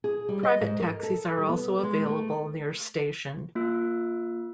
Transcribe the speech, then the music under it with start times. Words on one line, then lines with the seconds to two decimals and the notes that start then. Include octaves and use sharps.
Private taxis are also available near station.
0.04 G#4
0.29 G3
0.43 D#5
0.61 G#2
0.80 A#4
1.03 A4
1.37 G3
1.49 B3
1.83 G#3
2.06 A3
3.55 A#3 F4 E6